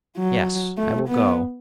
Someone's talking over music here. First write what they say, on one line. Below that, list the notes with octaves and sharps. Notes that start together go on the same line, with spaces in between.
Yes, I will go.
F#3
A3
B3